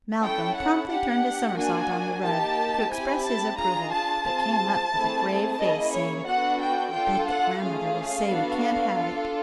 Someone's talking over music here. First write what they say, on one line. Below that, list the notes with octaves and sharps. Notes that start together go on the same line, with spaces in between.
Malcolm promptly turned a somersault on the rug, to express his approval, but came up with a grave face, saying, "I'll bet that grandmother will say we can't have it."
C#4 E4 A4 G5
F#5
D4 G4 F#5
A#3 D4 F#4 G#5
A#3 D#4 G4 A5
C4 E4 G4 G#5
A5
D4 F4 G#4 A#5
A5
C4 F4 G#4
A3 C4 E4 G#4
A#3 C#4 E4 G#4 D#5
C#5
B3 D4 F#4 A4 F#5
G5
D4 F4 A4 G5
F#5
A3 C#4 F4 G#4 F5
B3 D4 F#4 A4
D4 F4 A4